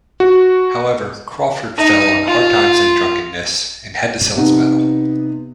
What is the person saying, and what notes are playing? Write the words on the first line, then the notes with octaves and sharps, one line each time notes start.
However, Crawford fell on hard times and drunkenness, and had to sell his medal.
F#4
D#4
F4
C3 B3 D#4